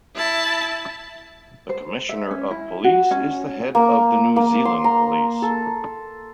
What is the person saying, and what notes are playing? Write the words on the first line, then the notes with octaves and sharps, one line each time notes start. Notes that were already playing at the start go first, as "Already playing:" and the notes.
The Commissioner of Police is the head of the New Zealand Police.
E4 A5
C5
E5
C#4
E4
F#4
C#4
A#3
A#3
C6
A#5
A4